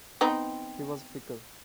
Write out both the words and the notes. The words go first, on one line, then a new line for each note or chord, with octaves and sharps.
He was fickle.
B3 C4 D#4